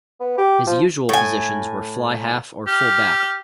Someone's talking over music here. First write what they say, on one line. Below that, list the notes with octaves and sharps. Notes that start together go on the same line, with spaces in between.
His usual positions were fly-half or fullback.
B3
G4
F3
A2 G#5
G4 F6